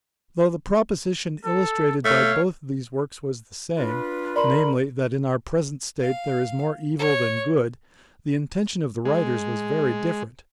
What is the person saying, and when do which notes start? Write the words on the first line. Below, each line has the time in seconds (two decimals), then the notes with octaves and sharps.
Though the proposition illustrated by both these works was the same, namely, that in our present state there is more evil than good, the intention of the writers was very different.
1.44 A4
2.05 A3 C#5 F5
3.77 D4 F4 B4
4.36 A#4 D5 B5 C6
6.01 F5
6.99 C#5
9.05 G#3